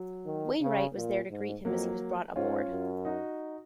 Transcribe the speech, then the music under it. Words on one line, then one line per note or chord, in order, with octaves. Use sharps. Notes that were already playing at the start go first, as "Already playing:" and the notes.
Wainwright was there to greet him as he was brought aboard.
Already playing: F#3
D#3
C#3
A#2
G#2
F2 F#3 A#3
G#2 C#4 F4
F#2
D#4 F#4